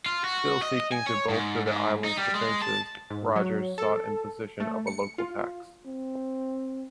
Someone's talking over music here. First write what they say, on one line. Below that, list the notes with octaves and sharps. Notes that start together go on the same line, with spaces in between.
Still seeking to bolster the island's defences, Rogers sought imposition of a local tax.
F4
F#4
D#5
G#5
C#5
G#2
G#2
D#4
G3
G#3
A5
G#2
F#3
A4
A3
C#7
F4
C4